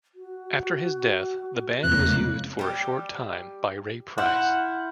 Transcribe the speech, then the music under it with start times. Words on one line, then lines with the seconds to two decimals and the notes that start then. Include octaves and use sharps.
After his death, the band was used for a short time by Ray Price.
0.15 F#4
1.83 F1 E2 C#3 G#3 A#3 F#6
2.59 G3 G4
4.18 E4 F#5 C6 F6 G6